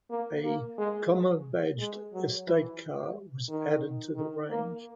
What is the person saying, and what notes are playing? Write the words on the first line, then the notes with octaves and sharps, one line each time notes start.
A Commer-badged estate car was added to the range.
A#3
A#3
G#3
G#3
F#3
E3
D#3
D#3
A#3